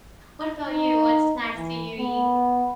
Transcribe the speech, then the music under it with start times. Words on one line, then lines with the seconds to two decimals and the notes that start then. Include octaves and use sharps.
what about you, what snacks do you eat?
0.69 D#4
1.56 E3
1.99 B3